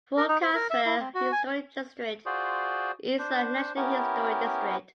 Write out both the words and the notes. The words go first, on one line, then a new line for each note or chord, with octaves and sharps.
Fort Caswell Historic District is a national historic district.
A#4
D#4
C5
A#4
E5
E4
C4
F#4
G#5
F4 F#4 G#4 C5 D5
D4 C5
B3 C#4 E4 G4 A#4